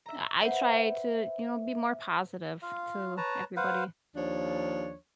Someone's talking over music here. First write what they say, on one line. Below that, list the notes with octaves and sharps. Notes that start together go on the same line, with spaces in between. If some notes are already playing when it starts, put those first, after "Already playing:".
I I try to, you know, be more positive to everybody.
E5 A#5
B4 C5 E5 F#5
F4 F5
B4 C#5 A5 A#5
B4 C5 F5 F#5
D#2 F3 D4 C#5